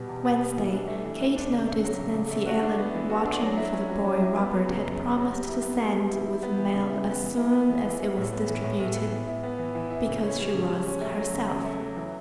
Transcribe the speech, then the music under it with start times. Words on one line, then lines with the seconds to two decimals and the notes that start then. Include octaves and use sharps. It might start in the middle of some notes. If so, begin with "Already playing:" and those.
Wednesday Kate noticed Nancy Ellen watching for the boy Robert had promised to send with the mail as soon as it was distributed, because she was, herself.
Already playing: B2 G3 B3
0.09 E2
0.25 B3
0.40 G3
0.57 E3
0.73 D4
0.88 A3
1.04 E3
1.20 E3
1.36 D4
1.52 C#3
1.67 A3
1.84 F#3
1.99 C#3
2.14 C#3
2.31 A3
2.46 F#4
2.62 D4
2.78 B3
2.94 E3
3.10 F#4
3.25 D4
3.41 F#3
3.57 E4
3.73 C#4
3.89 F#3
4.05 F#3
4.21 E4
4.37 B3
4.52 F#3
4.68 C#3
4.84 F#2
5.00 B3
5.15 F#3
5.32 G3
5.47 E4
5.63 B3
5.79 G3
5.95 G3
6.11 E4
6.26 E4
6.43 B3
6.58 E3
6.74 C#3
6.89 E4
7.06 B3
7.22 E3
7.37 E4
7.53 B3
7.69 E3
7.85 E3
8.01 E4
8.17 A2
8.33 B3
8.48 E3
8.64 A2
8.80 A2
8.96 B3
9.12 E3
9.27 E4
9.43 B3
9.59 E3
9.75 E3
9.90 E4
10.06 C#3
10.23 C#4
10.38 G3
10.54 C#3
10.70 C#3
10.86 C#4
11.01 A3
11.17 F#3
11.33 C#3
11.49 E2
11.65 A3
11.80 F#3
11.97 E3